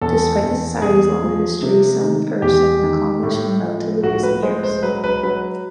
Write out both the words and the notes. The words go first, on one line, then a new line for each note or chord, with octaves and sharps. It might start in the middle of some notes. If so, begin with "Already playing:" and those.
Despite the Society's long history, some firsts have been accomplished in relatively recent years.
E2 A4
E2
E2 G#4
F3
C3
D#3
E2 G4
D#3
A2
F3
A2 F#4
B4
G#3 C5
C5
F#3 B4
B4
F#3 B4